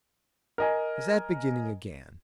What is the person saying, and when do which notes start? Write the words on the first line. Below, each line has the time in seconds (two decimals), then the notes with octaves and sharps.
Is that beginning again?'
0.58 A#4 D#5 G#5